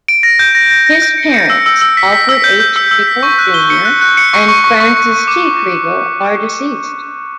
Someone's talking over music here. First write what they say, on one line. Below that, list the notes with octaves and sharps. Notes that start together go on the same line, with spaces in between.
His parents, Alfred H. Kregel Junior and Frances T. Kregel, are deceased.
D7
A#6
G6
A#6
A#6
A#6
G6
C#7
C#7
E6
E6
E6
B6
B6
E6
G6
G6
E6
E6
B6
C#6
F#6
G7
C#7
F#6
F#6
C#7
C#6
C#6
C#6
C#6
C#6
C#6
D6